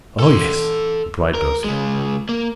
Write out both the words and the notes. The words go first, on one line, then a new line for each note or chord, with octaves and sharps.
"Oh, yes," replied Darcy.
A4 C6
A#4
C#3 G#3
A#3